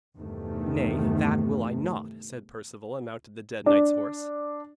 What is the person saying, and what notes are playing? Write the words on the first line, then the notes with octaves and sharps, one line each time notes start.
'Nay, that will I not,' said Perceval, and mounted the dead knight's horse.
E2 G2 C3 D#3 A3
D4